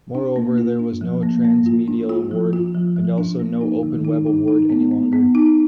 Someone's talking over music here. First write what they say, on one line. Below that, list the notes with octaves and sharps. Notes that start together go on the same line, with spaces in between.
Moreover, there was no transmediale Award and also no Open Web Award any longer.
D4
A#3
F4
D4
F3
A#3
A#3
F4
D4
F4
F3
F4
F3
F3
D4
A#3
D#4
D#3
D#4
D#4
D#4
B3
B3
B3
D#4